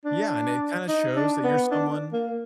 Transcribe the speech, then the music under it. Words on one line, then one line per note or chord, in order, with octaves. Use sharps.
Yeah, and it kinda shows that you're someone
D4
D#4
D4
B3
D4
A#3